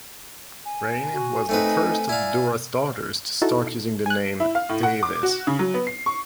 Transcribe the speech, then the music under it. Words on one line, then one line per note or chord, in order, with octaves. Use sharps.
Reine was the first of the Douras daughters to start using the name, 'Davies.
G#5
F#4
A3 C4 D#4 B4
E4 D5 F5
D#4 E4 F#4 A4
G#5 F#6
E4
F5
A2
F#5
D6
F#4
C#3
F#3
B3
C7
C#6